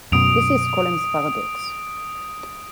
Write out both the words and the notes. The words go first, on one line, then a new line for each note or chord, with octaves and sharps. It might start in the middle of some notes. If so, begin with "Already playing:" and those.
This is Skolem's paradox.
F#2 B2 D#6 D7 F7